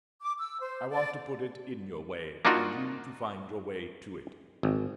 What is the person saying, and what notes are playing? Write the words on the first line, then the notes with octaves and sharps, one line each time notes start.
I want to put it in your way, and you to find your way to it.
D6
E6
C5
D5
A#3 D4 D#4 F4 F#4
G#1